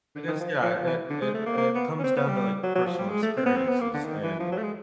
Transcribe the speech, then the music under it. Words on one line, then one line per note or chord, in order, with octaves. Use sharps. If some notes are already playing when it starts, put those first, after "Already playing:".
I guess, yeah, it it it comes down to, like, personal experiences. And
D3
D#3
F3
F3
F3
E3
D3
G#3
A3
A#3
A#3
B3
C#4
C4
B3
G3
F#3
F#3
F3
G3
G#3
A3
C4
B3
C4
B3
A#3
D3
D#3
E3
F3
F#3
A3
G#3